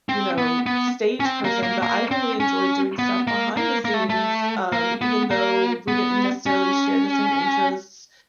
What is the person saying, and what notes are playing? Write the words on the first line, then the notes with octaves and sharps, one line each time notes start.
you know, stage person, but I really enjoyed doing stuff behind the scenes, um, even though we didn't necessarily share the same interests,
C4
B3
B3
C#4
C4
A#3
A#3
A#3
C4
C#4
B3
A#3
A#3
A#3
A3
A3
A#3
B3
A#3
B3
C#4